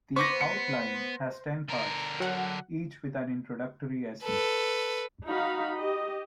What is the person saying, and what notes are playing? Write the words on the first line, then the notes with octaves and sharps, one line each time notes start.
The "Outline" has ten Parts, each with an introductory essay.
B3 C5 C#6 D6 A#6
C#7
D3 A#4
F#3 F#5
A4 B4
D#4 F#4 F5 B5
G4 D#5